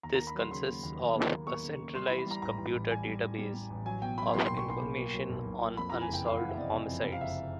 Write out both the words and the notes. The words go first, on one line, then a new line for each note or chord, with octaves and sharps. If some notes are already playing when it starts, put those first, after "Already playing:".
This consists of a centralized computer database of information on unsolved homicides.
D#2 A#5
A#3 A#5
B5
F#3 C6
C#3 C6
A#3
D#2
D#2
A#3
A#3
A#3 C#6
C#3
A#3
G3 C6
B5
E3
B5
G3 A#5
A1 A#5
A1
A1
G3 G#5
G3
A1
G3
G3
A1
F#3 G#5
B2 G5
F#3 B5
B5
A#3 C6
B1 C6
C#6
B1 C6
A#3
A#3
F#3
B1
B1
A#3
F2 B5
E3 A#5
G#5
F#1 G5
F#1 F5
E3 F#5
E5
C3 D5 D#5
C3
F2
C3
F5
F#1 E5